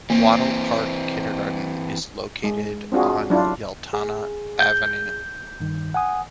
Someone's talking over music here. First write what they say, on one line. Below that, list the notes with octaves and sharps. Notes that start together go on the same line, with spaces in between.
Wattle Park Kindergarten is located on Yeltana Avenue.
E3 A#3 C4
G#3
C4 D4 F4 F#4 G#4
F#3 D4 E4 F4
G#4
G6
G2 D#3
F#5 G#5 D#6